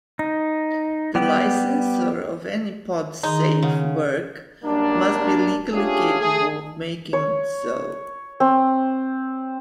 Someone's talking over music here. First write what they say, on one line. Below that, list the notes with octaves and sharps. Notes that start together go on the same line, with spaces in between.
The licensor of any podsafe work must be legally capable of making it so.
D#4
G3 B3 G4
D#3 D#4 G#4 C6 D#6
C#3 F#5
F#2 G3 A#3 D4
A3 C#4 D4 F4 G4 G#4
A3 G#4
C#5
C4